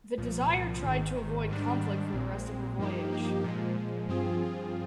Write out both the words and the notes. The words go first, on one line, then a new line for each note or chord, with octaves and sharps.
The "Desire" tried to avoid conflict for the rest of her voyage.
C2 A#2 F3
C2 A#2 F3
G#1 G#2 D#3
G#1 G#2 D#3
G#2 D#3 G3 D4
G#2 D#3 G3 D4
A#1 A#2 G#3 C4
A#1 A#2 G#3 C4
G2 F3 A#3 D#4 G4
G2 F3 A#3 D#4 G4
A#2 F3 G#3
A#2 F3 G#3
G2 F3 C4 F4 G#4
G2 F3 C4 F4 G#4